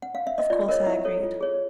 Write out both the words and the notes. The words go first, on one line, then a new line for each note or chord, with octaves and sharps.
Of course I agreed.
F#5
F5
E5
D#5
F4 D5
A#4 C#5 D#5
E4 E5
A4 C#5
F4
G#4 C#5